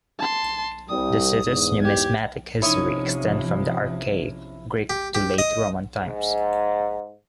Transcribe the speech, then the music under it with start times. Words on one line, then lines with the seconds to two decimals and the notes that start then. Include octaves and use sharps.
The city's numismatic history extends from archaic Greek to late Roman times.
0.19 A5 C6
0.89 C2 G3 D#6
1.44 E2 G#2
1.83 G4 G#6
2.62 C3 F3 C#4 D#4 E4 C#5 D#6
4.90 G4
5.15 G4
5.38 D#5
5.99 G#2